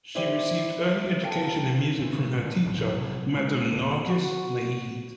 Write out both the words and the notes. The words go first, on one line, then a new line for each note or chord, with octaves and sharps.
She received early education in music from her teacher, Madam Nargis Naheed.
E4 G4 C5 D5
A4 A#4 F5 G5 A5
A#2 E3
A#2 D3 D#3
C2 G#2 C#3 F3
A1 C3 F#3
A#2 G#3
F1 D3
F#4